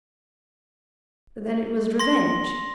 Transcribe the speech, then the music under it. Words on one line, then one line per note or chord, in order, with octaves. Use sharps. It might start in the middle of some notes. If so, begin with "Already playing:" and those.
"Then it was revenge."
C6 A#6